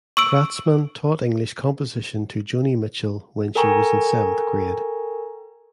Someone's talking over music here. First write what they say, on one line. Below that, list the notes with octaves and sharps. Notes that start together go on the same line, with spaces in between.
Kratzmann taught English composition to Joni Mitchell when she was in seventh grade.
C#6 E6 D7
A4 A#4 G5 G#5 A#5 C#6